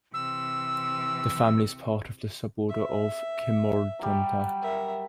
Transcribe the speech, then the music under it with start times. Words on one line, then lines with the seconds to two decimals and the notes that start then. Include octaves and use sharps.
The family is part of the suborder of Cimolodonta.
0.14 C3 E3 E6
2.69 E5
3.99 F#3 G3
4.62 A#4 E5